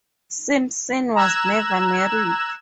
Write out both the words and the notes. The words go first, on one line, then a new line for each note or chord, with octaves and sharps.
Simpson was never married.
A#5 E6 F#6 G#6 E7